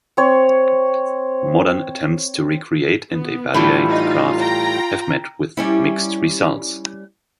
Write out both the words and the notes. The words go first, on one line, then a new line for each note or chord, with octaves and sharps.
Modern attempts to recreate and evaluate the craft have met with mixed results.
C4 C#5
B3
A2 E3 G3 F4
D#4
G5 A#5
G3 C#4 E4